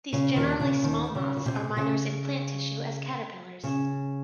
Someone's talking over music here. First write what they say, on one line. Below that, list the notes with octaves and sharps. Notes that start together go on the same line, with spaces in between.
These generally small moths are miners in plant tissue as caterpillars.
C#3
D#2 D#3
C#3
D#2 D#3
C#3
C#3
C3
C#3
C#3